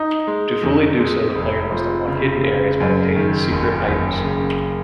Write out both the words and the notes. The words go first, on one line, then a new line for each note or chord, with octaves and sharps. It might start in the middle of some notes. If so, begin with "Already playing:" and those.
To fully do so, the player must unlock hidden areas by obtaining secret items.
Already playing: D#4
G#3
F2
G#3
F1
F3
C#3
C#3
F#2
D#3
F#1
F#1
C#3